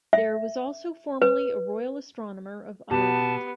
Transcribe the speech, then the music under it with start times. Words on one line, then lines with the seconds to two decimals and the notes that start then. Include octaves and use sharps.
There was also formerly a Royal Astronomer of Ireland.
0.13 E5
1.22 B4
2.91 B2 B3 G4 A5